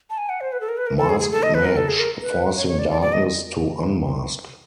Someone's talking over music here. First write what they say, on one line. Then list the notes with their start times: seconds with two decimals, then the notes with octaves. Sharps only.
Mask Match, forcing Darkness to unmask.
0.10 A5
0.18 G#5
0.29 F#5
0.41 C5
0.52 B4
0.61 A4
0.69 A#4
0.77 B4
0.87 A#4
0.98 A4
1.09 G#4
1.20 G#4
1.32 A4
1.43 D#5
1.54 B4
1.65 A#4
1.77 A4
1.88 G#4
1.99 A#4
2.21 B4
2.56 C#5
2.68 C#5
2.79 D5
2.90 D5
3.01 D5
3.13 D#5